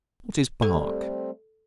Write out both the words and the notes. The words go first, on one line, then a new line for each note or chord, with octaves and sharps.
What is Bark?
G3 A3 C4 A4